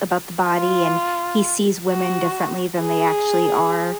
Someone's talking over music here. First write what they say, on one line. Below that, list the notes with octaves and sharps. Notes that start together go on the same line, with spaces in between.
about the body, and he sees women differently than they actually are.
F4
F#4
G#4